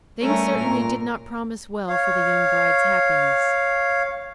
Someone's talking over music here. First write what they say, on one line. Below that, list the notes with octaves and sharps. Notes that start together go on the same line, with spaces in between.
Things certainly did not promise well for the young bride's happiness.
G3 A3 C#4 A#4
A#2 A#4
C#5 F5